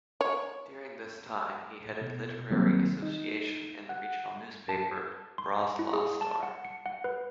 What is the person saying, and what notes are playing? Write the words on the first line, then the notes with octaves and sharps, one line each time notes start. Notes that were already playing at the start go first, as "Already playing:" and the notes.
During this time, he headed literary association in the regional newspaper "Braslaw star".
C#5
B2
C2 D#3 F#3 G3 A#3 C4
D#4
F#5
A5
C6
E4
G#4
A5
F#5
C#7
F#5
B4